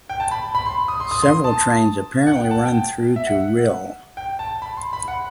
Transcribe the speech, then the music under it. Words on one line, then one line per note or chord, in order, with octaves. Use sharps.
Several trains apparently run through to Rhyl.
G5
A5
B5
B5
C6
D#6
C6
D#6
C6
A5
F#5
G5
A5
G5
E5
F#5
G5
A5
B5
C6
B5
F#5